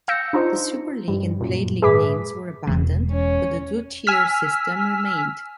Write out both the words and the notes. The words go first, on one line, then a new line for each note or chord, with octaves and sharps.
The Super League and Plate League names were abandoned, but the two-tier system remained.
F5 E6 G6 A#6 C#7
D4 D#4 F4 C5
G2 G3
F#2 A#2
G#2 G#4 B4 E5 D6 B6
E1
C#4
G#5 E6 F6 B6